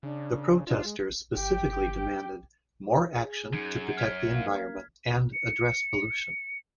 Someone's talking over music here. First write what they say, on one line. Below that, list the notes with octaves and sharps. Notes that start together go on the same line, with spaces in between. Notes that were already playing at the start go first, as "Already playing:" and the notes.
The protesters specifically demanded more action to protect the environment and address pollution.
C#3 D4
D4 F4
G#3
G1 G4 G5
G#4
F#2 D#4 G#6
C#5 F6 G#6 B6
A#3 F5
C#7